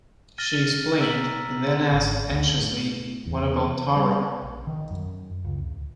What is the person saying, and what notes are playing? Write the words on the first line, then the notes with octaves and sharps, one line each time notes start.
She explained; and then asked anxiously, "What about Tara?"
F6 A6 A#6 D#7
A#5 E6 A#6 B6 F#7
G#1
D2
A2
E2
G3
A#1
D#3
F#2
C#2
D1